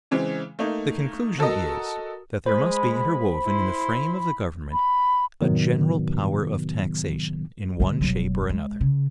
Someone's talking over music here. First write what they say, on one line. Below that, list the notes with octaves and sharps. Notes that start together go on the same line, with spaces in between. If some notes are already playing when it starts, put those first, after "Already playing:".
The conclusion is, that there must be interwoven, in the frame of the government, a general power of taxation, in one shape or another.
C#3 E3 G#3 C4
A3 A#3 D#4
F#4 A4 A#4 D#5
G#3 C5 B5
E4 C6
B5
A2 C3 D#3 F#3 B3
D3 G#3
E1 F#3
G#3
C#3